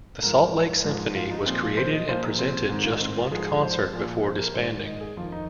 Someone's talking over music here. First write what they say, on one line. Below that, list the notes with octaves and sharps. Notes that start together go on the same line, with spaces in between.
The Salt Lake Symphony was created and presented just one concert before disbanding.
G#2 F3 A#4
G#2 F3
F4
F4
D#4
A#2 F3 C4
F4
C5
D#5
A#2 F3 C5
A#4
C4
G#2 D#3
F4
D#4
C4
F4
G#2 F3 G#4
G#4
C5
A#2 F3
C5
A#4
G#2 D#3 C5
D#5
G#4
F2 D#3 F4
D#4